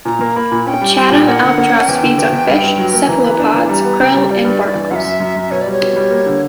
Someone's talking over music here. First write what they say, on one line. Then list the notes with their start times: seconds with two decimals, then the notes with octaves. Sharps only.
The Chatham albatross feeds on fish, cephalopods, krill, and barnacles.
0.05 A#2 A#5
0.21 A#3
0.36 A#3 B5
0.52 A#2
0.67 C#4 G5
0.81 G3
0.96 G3 G5
1.11 A#2
1.27 A#3 F#5
1.43 D3
1.57 A#3
1.73 C#4
1.88 E2 G5
2.03 D3
2.18 E2
2.33 E2
2.48 G2
2.64 G2
2.78 F#3
2.93 A#3
3.08 E3 A#5
3.24 B3
3.39 D4
3.54 E3
3.69 G3
3.84 B3
4.00 C#3
4.14 G3
4.29 G3 D5
4.45 G2
4.60 G2
4.75 E3
4.90 F#2 E5 F#5
5.05 F#2
5.20 F#2
5.36 F#2
5.51 B2 C#5
5.61 G3 D5
5.72 C#5
5.81 B2
5.96 G3
6.11 A#3
6.26 D3